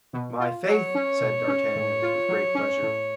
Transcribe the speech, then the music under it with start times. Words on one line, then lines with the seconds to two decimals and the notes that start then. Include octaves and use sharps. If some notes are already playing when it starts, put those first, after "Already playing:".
"My faith!" said d'Artagnan, with great pleasure.
0.13 B2
0.40 F4
0.68 F#3 C#5
0.95 C#4
1.21 B2
1.48 C#4
1.75 A2
2.02 F4
2.29 F#3
2.55 C#4
2.82 A2